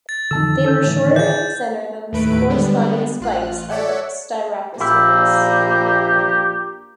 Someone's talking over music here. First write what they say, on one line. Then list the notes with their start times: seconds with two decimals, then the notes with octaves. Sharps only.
They were shorter and thinner than the corresponding spikes of "Styracosaurus".
0.09 A6
0.31 F2 D3 D#3 A5 E6
0.65 A4 E6 G6
0.85 A2 E3
1.16 G#4 D5 G6 A6
2.13 D#2 A2 A3 B4 D7
2.50 D3 G3 G#3 B3 D4
3.20 A1 F4 F#6
3.69 A4 C#5 D5 E5 F#5
4.80 A#1 A#2 A#3 E4 G4